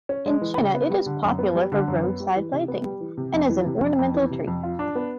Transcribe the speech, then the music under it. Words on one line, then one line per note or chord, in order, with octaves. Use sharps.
In China, it is popular for roadside planting and as an ornamental tree.
C#4
G#3
E3
C#3
B3
G3
D3
F#2
B3
G3
D3
F#2
B3
G3
E3
C3
B3
G3
E3
C3
F2
E3
C3
F2
F2
E3
C3
F2
F4
D4
B3